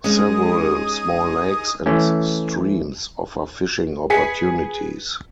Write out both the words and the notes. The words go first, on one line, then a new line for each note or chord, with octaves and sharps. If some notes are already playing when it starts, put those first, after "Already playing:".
Several small lakes and streams offer fishing opportunities.
G#3 C#4 D#4 G#4 D#5
E3 A3 C#4
G#4 B4 G#5 B6 C#7